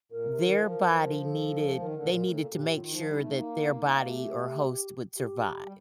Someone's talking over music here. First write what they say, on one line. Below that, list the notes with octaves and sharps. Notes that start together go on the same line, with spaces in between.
their body needed they needed to make sure that their body or host would survive
A#2 A#4
C3
D#3
F3
A#4
A4
D#3 A#4
D3
A#2
A2
A#2 A4
A#2 G4 A4
A2
D#3 F4
F3 D#4
G3
A3
A#3
A3 G4
G4
G3